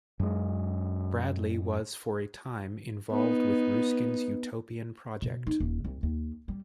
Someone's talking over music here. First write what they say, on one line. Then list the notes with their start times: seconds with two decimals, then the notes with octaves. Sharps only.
Bradley was for a time involved with Ruskin's utopian project.
0.20 F#2 G#3
3.11 B3 D#4
5.22 B2
5.47 D#4
5.60 D#1
5.84 C2
6.03 D#2
6.48 G3